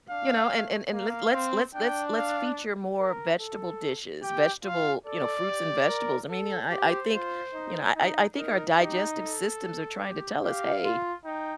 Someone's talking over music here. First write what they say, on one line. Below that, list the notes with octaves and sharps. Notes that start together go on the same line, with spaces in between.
you know, and and and l let's let's let's let's feature more vegetable dishes, vegetable you know, fruits and vegetables, I mean, you know, I I think, you know, I I I think our digestive systems are trying to tell us, "Hey"
D4 F5
A3
A#3 F5
C4
D4 G5
F5
A#4
A4
G4 G5
F4 F5
A4 D5
G4
A#4
A4
G4 C5
F4
D#4
D#4
D#4 A#4
D#4 G4
A4
G4
G4 F5
F4
D#4 G5